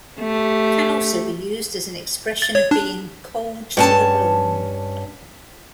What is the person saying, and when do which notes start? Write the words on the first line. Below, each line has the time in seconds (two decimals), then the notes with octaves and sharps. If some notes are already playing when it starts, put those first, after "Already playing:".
Can also be used as an expression of being "cold to the bone".
0.20 A3 G4
2.42 A6
2.55 C#5
2.71 D4
3.77 G2 C#4 A5